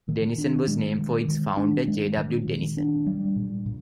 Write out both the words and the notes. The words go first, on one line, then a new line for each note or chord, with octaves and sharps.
Denison was named for its founder, J. W. Denison.
D#3
D4
G#3
D#3
D#3
D4
G#3
D#3
A#2
D4
G3
A#2
A#2